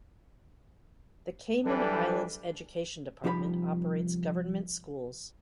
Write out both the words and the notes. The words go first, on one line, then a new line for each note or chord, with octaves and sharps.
The Cayman Islands Education Department operates government schools.
E3 F#3 G3 D4 A4 B4
C2 F3 D#4 G4 F5 B5